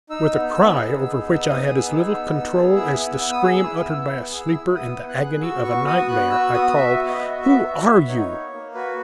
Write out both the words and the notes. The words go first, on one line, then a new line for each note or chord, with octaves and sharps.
With a cry, over which I had as little control as the scream uttered by a sleeper in the agony of a nightmare, I called: "Who are you?"
D#4 E6
B3
B3 E6
G#4
D#4
B3
E6
B3 D#6
G#4
E6
D#4
B3
B3
G#4
E4 E6
B3
B3
D#6
G#4 E6
E4
B3
B3
G#4
E4
B3 D#6
B3
F#6
G#4
F#4 E6
B3 C#6
F#4 D#6
B3 F#6
F#4 E6
B3 D#6
F#4 E5
B3
D#5
F#4
B3 E5
F#4
B3
D#4 C#5
A#3
A#3
F#4 B4